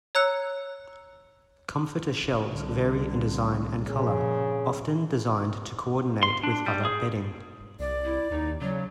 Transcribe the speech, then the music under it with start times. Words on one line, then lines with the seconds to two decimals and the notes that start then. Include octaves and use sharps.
Comforter shells vary in design and color, often designed to coordinate with other bedding.
0.15 C#5 A#5 E6 F#6 C#7
2.51 C2 D3
3.87 A#2 C#3 F3
6.23 C6
6.43 D4
6.66 G3
6.85 G#4
7.80 C2 D5
8.05 E4
8.31 D#2 D#4
8.61 C#3 F#3